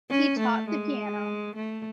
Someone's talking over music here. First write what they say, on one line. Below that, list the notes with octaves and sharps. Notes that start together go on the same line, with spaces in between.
He taught the piano.
C#4
A3
G#3
A3